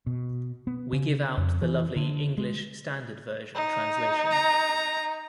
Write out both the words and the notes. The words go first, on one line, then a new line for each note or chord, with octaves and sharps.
We give out the lovely English Standard Version translation.
B2
B3
C#3
F2
E3
D3
G#3
D#4
A#5